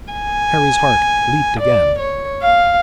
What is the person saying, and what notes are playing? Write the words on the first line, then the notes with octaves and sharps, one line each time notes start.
Harry's heart leaped again.
G#5
D5
C#5
F5